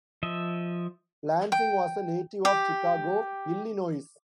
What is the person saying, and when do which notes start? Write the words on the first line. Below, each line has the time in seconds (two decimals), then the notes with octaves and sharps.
Lansing was a native of Chicago, Illinois.
0.23 F3 D#5 E5
1.52 G5
2.45 G4